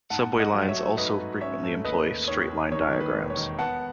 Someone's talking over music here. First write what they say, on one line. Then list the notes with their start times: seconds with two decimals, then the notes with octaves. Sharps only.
Subway lines also frequently employ straight-line diagrams.
0.10 G#2 F#5 A5
0.32 A3
0.39 D#5 F#5
0.54 F#3
0.68 C#5 E5
0.76 A3
0.97 G#2 B4 D#5
1.19 G#2
1.41 C#4 C#5 E5
1.63 A3
1.84 D#2 B4 D#5
2.06 D#2
2.28 D#2 C#5
2.50 D#2
2.72 D#3 C#5
2.93 D#2
3.00 B4
3.15 E1
3.30 C#5
3.37 D#3
3.59 B3 F#5 A5